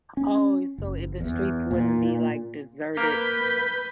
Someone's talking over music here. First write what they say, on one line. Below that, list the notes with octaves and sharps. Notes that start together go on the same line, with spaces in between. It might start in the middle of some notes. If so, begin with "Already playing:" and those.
Oh, so the streets wouldn't be like deserted
C#4
F#1
E2
A#2
A#3 A#4 B4 G6 B6